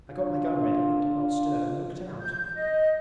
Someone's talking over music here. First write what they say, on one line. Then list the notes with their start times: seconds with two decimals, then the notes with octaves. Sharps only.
I got my gun ready but did not stir, and looked out.
0.10 D4 F4
2.20 G6
2.55 D#5